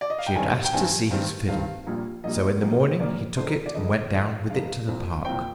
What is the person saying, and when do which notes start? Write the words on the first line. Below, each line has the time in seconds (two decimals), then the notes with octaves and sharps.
She had asked to see his fiddle, so in the morning he took it and went down with it to the park.
0.01 D5
0.10 D#5
0.19 F5
0.26 G5
0.36 G2 D#3 G3 C4 G#5
0.65 G5
0.73 G2 D#3 G3 C4 G#5
1.10 G2 D#3 G3 C4
1.48 G2 D#3 G3 C4 F5
1.87 A#1 A#2 G3 A#3
2.24 A#1 A#2 G3 A#3 D#5
2.62 A#1 A#2 G3 A#3
3.00 A#1 A#2 G3 A#3 D5
3.37 F1 F2 D3 G#3 C5
3.46 A#4
3.66 D5
3.74 F1 F2 D3 G#3 D#5
4.12 F1 F2 D3 G#3
4.50 F1 F2 D3 G#3 F5
4.87 C2 A#2 F3 C4
5.25 C2 A#2 F3 C4 G5